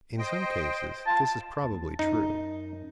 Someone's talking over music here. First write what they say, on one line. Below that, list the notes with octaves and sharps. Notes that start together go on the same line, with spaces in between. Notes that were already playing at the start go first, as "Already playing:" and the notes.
In some cases this is probably true.
C5 D#5 G5
F4 A5
D#2
F#2 D#4